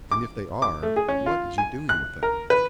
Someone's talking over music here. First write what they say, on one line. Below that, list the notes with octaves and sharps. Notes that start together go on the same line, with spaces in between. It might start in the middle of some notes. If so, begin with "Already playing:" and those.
"And if they are, what is he doing with them?"
D6
D6
A3
G#4
C#4
F4
G#5
F#6
A#4
B4